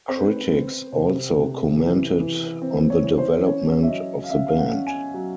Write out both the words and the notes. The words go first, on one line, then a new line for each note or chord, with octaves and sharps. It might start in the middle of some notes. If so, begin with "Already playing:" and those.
Critics also commented on the development of the band.
C4 C5
B4
B4
C4
C3 C5
C3
E3
E3
C4
C#5
E3
C5
C#4 C#5
E5
F#3 D#5
F5
C#4 E5
F5
F#5
C#4
G#5
F#3